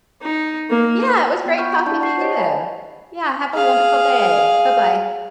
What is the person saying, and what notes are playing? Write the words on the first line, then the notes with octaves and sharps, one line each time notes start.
Yeah, it was great talking to you. Yeah, have a wonderful day, bye-bye.
D#4
A#3
B3 F4 G5
F#5 B5 C#6 F6 G6
D4 E4 D5 A5 C#6 G6
D5 F#5 C#6 C7
C5 C#5 D#5 A5
G#5 A#5 B5
G#4 F5